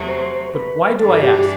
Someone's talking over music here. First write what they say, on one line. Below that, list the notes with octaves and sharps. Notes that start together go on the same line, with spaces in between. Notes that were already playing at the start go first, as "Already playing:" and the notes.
But why do I ask?
Already playing: E2 C3 F#3 A3
C5
B4
G2 E3 G3 D4 A4
G4
G4